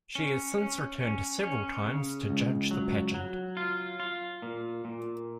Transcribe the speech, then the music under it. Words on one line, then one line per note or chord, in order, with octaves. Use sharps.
She has since returned several times to judge the pageant.
C#4
C#4
C#4
C#4
C#3
C#2
F#3
F#3
F4
F4
A#2
A#2